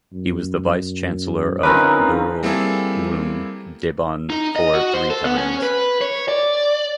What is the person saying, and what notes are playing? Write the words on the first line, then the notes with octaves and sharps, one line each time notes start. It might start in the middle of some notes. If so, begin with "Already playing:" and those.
He was the Vice Chancellor of Darul Uloom Deoband for three times.
F#2
D3 F3 C4 C#4 D#4 A#4 B4
G3 A#3 C4 E4 G#4 A4
D#4
D#5
F#4
C5
A4
B3
C#4
B4
C#5
D5